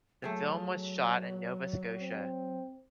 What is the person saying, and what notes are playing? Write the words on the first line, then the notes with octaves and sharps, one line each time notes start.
The film was shot in Nova Scotia.
F#3 A3 G#4 G5
C4